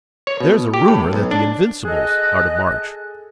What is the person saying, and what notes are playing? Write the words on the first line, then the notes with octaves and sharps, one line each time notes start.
There is a rumor that the Invincibles are to march.
C#5
B2
G4
A2
B1
D4
G#4 A4 D#5 F#6